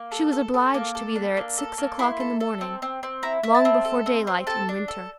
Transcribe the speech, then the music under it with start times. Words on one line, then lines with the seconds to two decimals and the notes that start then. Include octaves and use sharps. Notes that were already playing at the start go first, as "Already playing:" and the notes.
She was obliged to be there at six o'clock in the morning--long before daylight in winter.
Already playing: A#3
0.12 A4
0.32 A4
0.54 A4
0.74 A#3 D6
0.95 A4
1.16 D4
1.37 A#3
1.58 A4
1.78 A#3
1.99 E4 C6
2.20 A4
2.40 A4
2.61 C4
2.82 C4
3.03 C4
3.23 E4 A#5
3.43 E4
3.55 A5
3.65 C4
3.85 A4
4.06 C4
4.27 C4
4.47 A4 A5
4.69 D4
4.88 A4